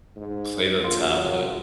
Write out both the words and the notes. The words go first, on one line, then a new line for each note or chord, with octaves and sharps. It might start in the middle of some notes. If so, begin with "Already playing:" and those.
play the tablet.
G#2
A#1 C#3 F#3 F4
C2